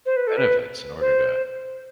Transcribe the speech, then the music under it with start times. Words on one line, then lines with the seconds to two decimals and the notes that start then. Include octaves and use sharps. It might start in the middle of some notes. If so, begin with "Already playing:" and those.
benefits in order to,
0.06 C5
0.17 B4
0.27 A4
0.37 B4
1.00 C5